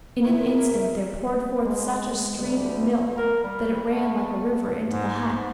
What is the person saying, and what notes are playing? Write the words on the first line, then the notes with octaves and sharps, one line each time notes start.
In an instant there poured forth such a stream of milk that it ran like a river into the hut.
C#3 G#3 E4 F4 A#4 E5
G#3
D2 G3
A#4
G3
A3
G#2